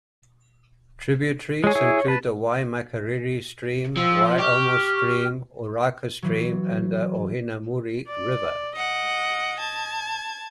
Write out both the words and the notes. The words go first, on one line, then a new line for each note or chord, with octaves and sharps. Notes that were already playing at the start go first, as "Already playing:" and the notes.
Tributaries include the Waimakariri Stream, Waiomou Stream, Oraka Stream and the Ohinemuri River.
G#3 G#4 C#5
E4 G#4
B4 A5
F3 F5 G5 E6
G4 C#6 F6
E3 F#3
D5
D#5 F#5 D7
A5 G#6